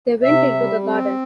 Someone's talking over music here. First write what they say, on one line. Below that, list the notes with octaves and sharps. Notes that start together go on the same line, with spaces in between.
They went into the garden.
C3 E5
G3
C4